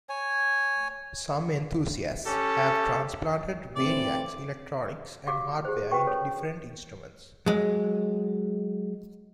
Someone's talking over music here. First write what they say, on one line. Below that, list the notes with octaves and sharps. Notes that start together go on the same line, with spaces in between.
Some enthusiasts have transplanted Variax electronics and hardware into different instruments.
C#5 G#5
C#4 G4 A4
A2 E3 C4 D5
F#4 G4 F5 D6
G4 G#4 C5
C#4 F#4 G4 B4 G5 C#6
A4 C#5
F#3 G#3